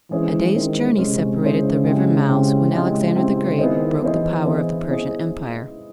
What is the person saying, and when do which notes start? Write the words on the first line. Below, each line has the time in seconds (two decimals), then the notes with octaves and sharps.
A day's journey separated the river mouths when Alexander the Great broke the power of the Persian Empire.
0.10 E3 G#3 C#4 E4 G#4 C5
0.54 D#3 G#3 C#4 E4 G#4 C5
0.97 C3 G#3 C#4 E4 G#4 C5
1.41 C#3 G#3 C#4 E4 G#4 C5
1.85 G#3 C4 E4 G4
2.28 G#3 C4 E4 G4
2.72 C#3 G#3 C4 E4 G4
3.15 C#3 G#3 C4 E4 G4
3.59 D#3 B3 E4 G#4 C5 D#5
4.02 E3 B3 E4 G#4 C5 D#5
4.45 B3 E4 G#4 C5 D#5
4.90 B3 E4 G#4 C5 D#5